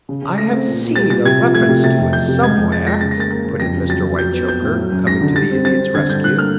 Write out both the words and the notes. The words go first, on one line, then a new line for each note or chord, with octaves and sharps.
"I have seen a reference to it somewhere," put in Mr. Whitechoker, coming to the Idiot's rescue.
C#3
C#3
A3 A#6
C4
A#2
A#2
G3 A6
A#2 A6
C3 G#6
F3
A3 G#6
C3
C3 A6
F2
F2 G6
C3
G#3 G#6
F2
G#3 A6
G#3 A#6
C#3 A6
A#6
A#3 A6
A#3 A6
C#3
F2 A#6
C#3
F#3 A6
F2
F#3 G6
B3
B3 G6
A2
F#3
F#2
F#2 A#6
D3
G3 A6
C4
C4 A6
C4
D3 G#6
G2 G6
G2 F#6
A#3 F6